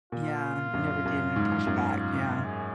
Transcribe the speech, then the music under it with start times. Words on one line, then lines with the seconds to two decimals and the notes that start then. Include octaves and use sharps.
Yeah. You never did and you pushed back, yeah.
0.12 A#2 F4
0.74 F#2
1.05 F#2
1.36 G#2
1.67 F#2
1.98 F4
2.45 G#4